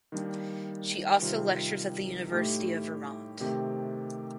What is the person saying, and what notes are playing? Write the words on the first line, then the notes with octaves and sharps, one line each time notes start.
She also lectures at the University of Vermont.
D#3 G3 A#3 D4
C3 D#3 G3 C4 F4
A2 A3 D#4 G4
C3 D#3 A3 C4 G4